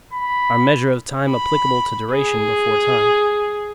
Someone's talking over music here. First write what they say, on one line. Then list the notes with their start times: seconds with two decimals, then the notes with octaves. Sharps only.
Our Measure of Time applicable to Duration before Time.
0.13 B5
1.29 B5
2.13 G#4